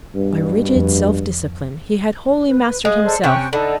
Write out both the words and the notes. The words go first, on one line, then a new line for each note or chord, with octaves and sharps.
By rigid self-discipline, he had wholly mastered himself.
G2 B2
F2
B4
G#3 F5 D#6
A4 C5 D5
C3 C#4 G5 C#6 F#6
D3 D#4 A4 B5